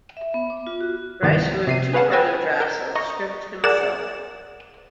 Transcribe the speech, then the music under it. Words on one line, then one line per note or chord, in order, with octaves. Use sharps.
Gries wrote two further drafts of the script himself.
E5
B3
D6
F4
F#4
G1 C2 D#3 F3 B3 A6
C3 C7 D#7
G#4 B4 C#5 F5 F#5 A5
B4 G5 G#5 E6 A6 A#6
A#4 G6
D#5 A#5 C#6
G#4 A#4 D5 F#5 E7